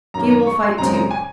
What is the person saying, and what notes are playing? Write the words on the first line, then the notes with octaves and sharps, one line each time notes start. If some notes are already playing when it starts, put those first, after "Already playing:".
She will fight too.
F#2 D#3 A#3 A#5
A#5
C#6
C6
F#2 C#3 G#3 C4 A#5
A#5
G#5